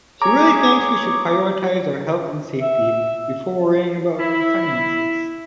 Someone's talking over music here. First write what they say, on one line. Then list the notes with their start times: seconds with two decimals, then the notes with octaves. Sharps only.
She really thinks we should prioritize our health and safety before worrying the finances.
0.21 G#4 C#5 A#5 D6
2.60 E5
4.18 E4